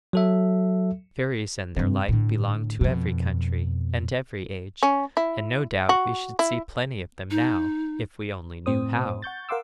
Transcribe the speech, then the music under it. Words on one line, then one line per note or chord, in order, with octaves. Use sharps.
Fairies and their like belong to every country and every age, and no doubt we should see plenty of them now--if we only knew how.
F#3 A4 E5
G2 C3
A2 D3
F2 B2
C#4
E4
F#4
E4
D#4
A2 C4 C5 D#6
F#5 C#6 G6 A6
A#4 F5 F#5 C6 D6 E6